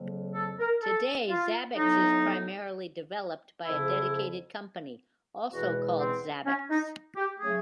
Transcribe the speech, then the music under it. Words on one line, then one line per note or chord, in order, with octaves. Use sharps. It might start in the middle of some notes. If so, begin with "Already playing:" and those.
Today, Zabbix is primarily developed by a dedicated company, also called Zabbix.
Already playing: F2 C#3 F#3 A#3
A4
A#4
A4
F4
A2 F#3 B3 D#4
F2 C#3 F3 E4
E2 B2 G#3 B3 F#4
C4
C#4
D#4
G4
C#3 F#3 A3 G#4